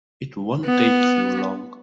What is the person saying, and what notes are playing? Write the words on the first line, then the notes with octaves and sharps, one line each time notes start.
It won't take you long.
B3